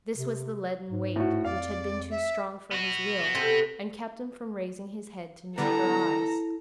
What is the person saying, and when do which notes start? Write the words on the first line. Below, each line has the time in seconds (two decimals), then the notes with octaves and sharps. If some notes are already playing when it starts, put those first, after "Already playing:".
This was the leaden weight which had been too strong for his will, and kept him from raising his head to meet her eyes.
0.17 C3
0.90 G#2
1.16 A2 F#4
1.45 F2 D5 F5
2.11 E5
2.71 B3 F#4
3.35 C3 A4 C5
5.58 D3 G3 B3 E4 A4 A#5